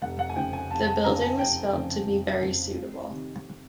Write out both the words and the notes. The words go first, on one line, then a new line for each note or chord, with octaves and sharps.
The building was felt to be very suitable.
F1 F#5
F#5
G#5
F2 C#3 F3 G5
G#5
F1 A5
A5
F2 C#3 F3 A#5
G#5
F1 G5
F2 C#3 F3
F1
F2 C#3 F3
F2
C3 D#3